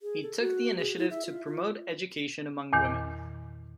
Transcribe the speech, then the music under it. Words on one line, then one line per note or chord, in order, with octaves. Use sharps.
He took the initiative to promote education among women.
G#4
A4
F#4
G#4
E4
E5
F4
F4
E2 A#2 D#3